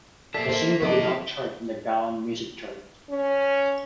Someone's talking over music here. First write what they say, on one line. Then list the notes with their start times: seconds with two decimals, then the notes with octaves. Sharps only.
The single did not chart in the Gaon Music Chart.
0.34 A#2 D4 A4 E5 A5 B6 C7
0.49 A#3 C5
0.82 F#3 B3 E4 A4 D5 D#5
0.99 F3 G3 F5
3.10 C#4